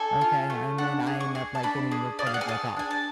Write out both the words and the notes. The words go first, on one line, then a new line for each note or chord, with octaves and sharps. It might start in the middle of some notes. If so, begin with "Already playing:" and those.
okay," and then I end up, like, getting reported to a cop.
Already playing: D4 A4 G#5
F4
A3
D4 F#5
G#4
C#6
G#4
A5
D4 B5
G#4
G#4 D5
F5
F#5
G#5
G#4 A5
D4 G#5
A5